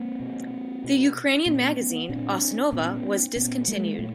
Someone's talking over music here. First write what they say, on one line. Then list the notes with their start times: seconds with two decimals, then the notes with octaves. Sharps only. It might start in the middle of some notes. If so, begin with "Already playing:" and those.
The Ukrainian magazine "Osnova" was discontinued.
Already playing: A#3 C4
0.20 B2
0.84 B2
1.46 A#2 B3 C#4
2.09 A#2 C4 D4
2.72 A#2 B3 C#4
3.36 A#2 B3 C#4
3.68 G#3 A#3
3.99 A#2 A3